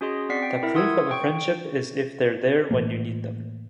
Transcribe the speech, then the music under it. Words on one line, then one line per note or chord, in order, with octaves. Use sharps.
The proof of a friendship is if they're there when you need them.
C#4 F#4 G#4 D#5 C6
C4 D5 F#5 B6 C7
G5
E4 A#4 E5
F#5 C6 D#6 E6 G#6
G5 C#6 D7
A2 E3 A3 A#3